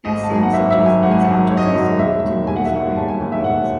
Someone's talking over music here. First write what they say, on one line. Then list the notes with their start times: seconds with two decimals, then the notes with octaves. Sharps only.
As Sam suggests, these objects are similar to Buddhist Prayer wheels.
0.05 G#1 D#5
0.23 A5
0.29 F#2 D#3 G#5
0.43 F#5
0.53 G#1 E5
0.70 E5
0.77 F#2 D#3
0.86 G#5
1.03 G#1 F#5
1.11 G#5
1.20 F#5
1.26 F#2 D#3
1.50 G#1 C#5
1.57 D#5
1.64 C#5
1.74 F#2 D#3
1.98 E1 E5
2.23 D#2 D#3
2.47 E1 G#5
2.56 F#5
2.65 E5
2.71 D#2 D#3 F#5
2.96 E1 A5
3.08 G#5
3.20 D#2 D#3 G#5
3.32 E5
3.44 E1 F#5